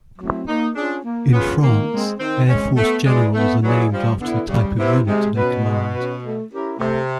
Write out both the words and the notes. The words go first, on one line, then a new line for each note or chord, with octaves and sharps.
In France, Air Force generals are named after the type of unit they command.
F#3 A3 C4 E4
A#3 D#4
C#4 D4 F4 G#4
A#3
B3 C#4 F4 G#4
D#3 A#3
G#3 C4
D#3 C4
G#3 C4 C#4
A3 B3
G#3 E4 G#4 B4 D5
A3 B3
F#3 E4 G#4 B4 D5
F3 G3
D3 B3 E4
C#3 G3
C3 B3 E4
C3 G#3
B2 C#4 F#4 B4
G#3
C#4 F#4 B4
A3
C#4 E4 G4 A#4
C3 A3